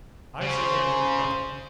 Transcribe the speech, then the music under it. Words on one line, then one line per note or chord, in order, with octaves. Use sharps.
'I say it means nothing.
C#3 C5